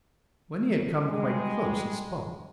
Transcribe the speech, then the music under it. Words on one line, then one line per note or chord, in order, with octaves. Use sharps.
When he had come quite close he spoke.
G3 G#3